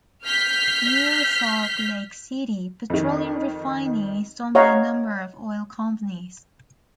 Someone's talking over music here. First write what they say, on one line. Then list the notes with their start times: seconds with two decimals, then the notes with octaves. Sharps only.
Near Salt Lake City, petroleum refining is done by a number of oil companies.
0.24 F6 G6 B6 C7
2.90 F2 D#3
4.55 C#5 D#5 F5 F#5 A#5